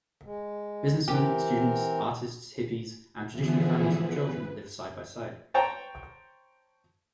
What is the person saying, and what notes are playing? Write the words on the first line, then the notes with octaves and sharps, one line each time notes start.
Businessmen, students, artists, hippies and traditional families with children live side-by-side.
G#3
E3 C4 G4 A#4
D3 E3 F3 B3 E4 G#4
B4
C5 C#5 G5 A5 A#5